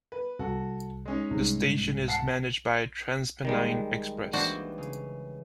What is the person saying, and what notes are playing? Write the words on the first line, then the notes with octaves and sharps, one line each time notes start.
The station is managed by TransPennine Express.
B4
C2 F#4 A4
G#3 C#4 D#4
C2 G#2
F#5 A5 C7
D#3 G3 G#3
D#2 E3 D4 F#4 C5
C#3